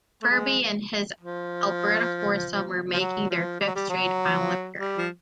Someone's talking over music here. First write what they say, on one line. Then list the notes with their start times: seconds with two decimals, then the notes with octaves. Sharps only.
Ferbey and his Alberta foursome were making their fifth straight final appearance.
0.22 A3
0.31 G#3
1.20 F3
2.92 F3
3.00 F#3
3.30 F3
3.60 G3
3.67 F#3
3.75 G3
3.89 F#3
4.78 G3
4.98 F3